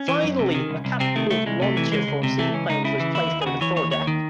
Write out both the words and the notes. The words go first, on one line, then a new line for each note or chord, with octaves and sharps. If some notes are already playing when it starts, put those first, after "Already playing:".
Finally, a catapult launcher for seaplanes was placed over the fore deck.
Already playing: C#4
E3
F#2
C3
D#3
C2
C2
C3 C4
D#3 A3
C2 A3
C2 G#3
C3 A3
E3
C#2 G#3
C#2
C3
E3 A3
C#2 C#4
C#2 D#4
C#3 E4
E3
D#2 E4
D#2
G#4
C#3 F#4
E3 C#5
D#2 C#5
D#2 C#5
D#3